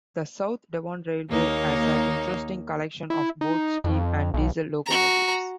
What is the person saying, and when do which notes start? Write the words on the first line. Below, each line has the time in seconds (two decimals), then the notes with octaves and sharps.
The South Devon Railway has an interesting collection of both steam and diesel locomotives.
1.30 D#2 A#3 D#4 C#5
3.10 E4
3.41 D#4
3.84 F2
4.34 B1
4.86 F#4 A#5